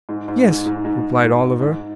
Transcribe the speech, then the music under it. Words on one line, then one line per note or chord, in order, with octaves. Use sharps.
'Yes,' replied Oliver.
G#2
G#2
G#2
G#2
G#2
G#2
G#2